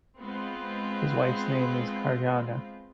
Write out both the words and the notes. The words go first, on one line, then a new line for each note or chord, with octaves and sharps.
His wife's name is Karnjana.
G#3 B3 C4 F4